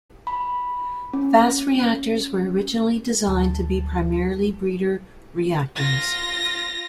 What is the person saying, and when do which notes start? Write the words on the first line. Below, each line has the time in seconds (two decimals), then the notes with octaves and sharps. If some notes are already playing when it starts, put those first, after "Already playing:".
Fast reactors were originally designed to be primarily breeder reactors.
0.27 B5
1.13 C#4
3.28 D2 A5
5.75 F4 A#6